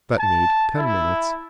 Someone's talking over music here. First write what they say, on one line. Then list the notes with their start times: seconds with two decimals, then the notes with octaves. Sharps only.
That made ten minutes.
0.19 A5
0.77 E4